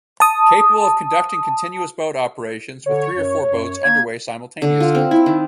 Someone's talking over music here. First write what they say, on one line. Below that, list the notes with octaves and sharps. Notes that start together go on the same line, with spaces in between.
Capable of conducting continuous boat operations with three or four boats underway simultaneously.
A5 D#6
D3 C#5
F#2
F#2
A#3 G#6
D3
F4
C4
E4
D#3